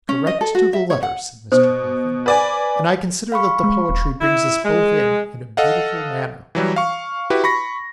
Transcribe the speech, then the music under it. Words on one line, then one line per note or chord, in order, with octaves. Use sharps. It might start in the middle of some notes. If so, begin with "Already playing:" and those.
'Correct to the letter!' said Mr Boffin. 'And I consider that the poetry brings us both in, in a beautiful manner.'
C#4
D#5
A4
F#4
E5
C#5
F#5
B2 C5
B4 D5 G#5
F5 B5 C#6
G#3
D#1
E4
G#3
A4 D#5 F5 F#5
E3 F#3 G3
F5 C#6
E4 F#4 G4 B4
B5 C#6 A#6